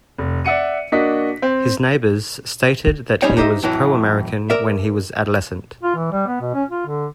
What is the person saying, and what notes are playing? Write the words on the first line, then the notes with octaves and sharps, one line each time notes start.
His neighbors stated that he was pro-American when he was adolescent.
F1
D5 E5 F#5 C#7 D#7
A#3 D4 F#4 D#5 B6
C4
G3 C#4 D#4 C5 C#5 G5
D#4 G4 C5 D#5 E5
F2 A2 E3 F#3 E4
A#4 D5 E5
F4
E3
G3
B3
B2
C#4
F4
D3